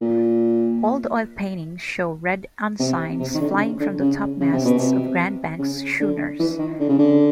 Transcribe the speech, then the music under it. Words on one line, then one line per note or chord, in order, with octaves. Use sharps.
Old oil paintings show red ensigns flying from the topmasts of Grand Banks schooners.
A#2
C3
C3
D#3
D3
C#3
D3
C#3
C#3
C3
B2
C3
C#3
D3
E3
D#3
D3
C#3
D3